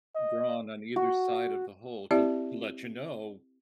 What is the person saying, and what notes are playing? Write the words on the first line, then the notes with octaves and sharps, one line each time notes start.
drawn on either side of the hole to to let you know
D#5
F#4
C4 E4 G4 D5 E5